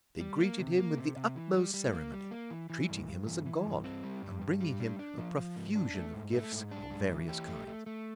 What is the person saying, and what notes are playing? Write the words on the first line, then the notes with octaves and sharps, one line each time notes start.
They greeted him with the utmost ceremony, treating him as a god and bringing him a profusion of gifts of various kinds.
G3
A#3
C3
A#3
C3
C3
E3
G3
G3
A#3
G3
A#3
E3
E3
G2
G2
E3
E3
G2
C4
G3
G2
G2
G3
D4
D4
F3
F3
G#2
D4
A3
G#2
A3
G#2
D4
G#2
E3
G4
A3
A3
A3